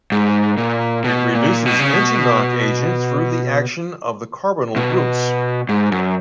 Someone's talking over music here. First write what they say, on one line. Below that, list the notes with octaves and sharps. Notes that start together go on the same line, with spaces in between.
It reduces engine knock agent through the action of the carbonyl groups.
G#2
A#2
B2
A#2
B2
C#3
B2
B2
G#2
F#2